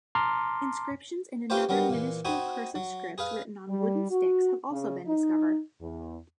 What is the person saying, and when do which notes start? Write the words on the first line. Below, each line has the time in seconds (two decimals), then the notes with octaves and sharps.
Inscriptions in another minuscule cursive script written on wooden sticks have also been discovered.
0.15 A5 A#5 C6 D6 F6
1.50 A3 C#4 F4 G4 B4 C5
1.69 F#3 G3 B3 A#4
1.90 A#2 E3
2.25 C4 D#4 F#4 G#5 B5
2.75 F#3
3.18 G#4 B4 F5
3.68 G3
4.10 F#4
4.71 C#3
5.06 D#4
5.81 E2